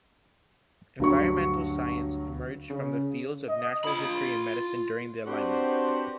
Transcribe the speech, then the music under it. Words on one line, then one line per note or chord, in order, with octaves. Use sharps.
Environmental science emerged from the fields of natural history and medicine during the Enlightenment.
D2 G2 F#3 C#6
C#3
D#5
F4 B5
C4 D4 F#4 G4 B4 C5